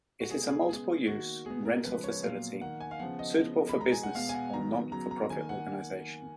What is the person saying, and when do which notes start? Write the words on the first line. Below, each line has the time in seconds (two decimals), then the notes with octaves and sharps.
It is a multiple-use rental facility suitable for business or not-for-profit organization.
0.20 F#4
0.30 B2 G#3 B3 G#4
0.50 G#4
0.69 C#3 G#3 B3 G#4
1.07 D#3 A#3 F#4
1.46 B2 G#3 B3 G#4
1.65 A#4
1.84 C#3 F3 G#3 B4
2.04 C#5
2.23 A#2 F#3 B3 F5
2.61 D#3 A#3 F#5
2.80 G#5
2.91 F5
2.99 C#3 F3 B3 F#5
3.19 D#5
3.38 C#3 F3 B3
3.69 B5
3.77 B2 G#3 B3 A#5
3.92 G#5
4.03 F#5
4.15 B2 G#3 B3 F5
4.29 G#5
4.34 F#5
4.53 D#3 F#3 B3 A#5
4.92 C#3 F#3 B3 A#5
5.11 A#5
5.30 D#3 A#3 G#5
5.49 F#5